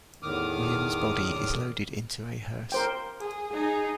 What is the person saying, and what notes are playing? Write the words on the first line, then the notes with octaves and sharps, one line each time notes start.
Williams' body is loaded into a hearse.
E2 A2 D#3 D6 D#6 F6
A#4 C5 G5
G#4
D#4 G#4